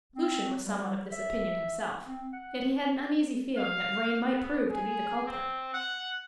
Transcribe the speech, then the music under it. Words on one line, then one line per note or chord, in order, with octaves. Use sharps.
Lucian was somewhat of this opinion himself, yet he had an uneasy feeling that Vrain might prove to be the culprit.
C4
G3
E5
C4
F#5
F5
B3
G#4
C4
F#5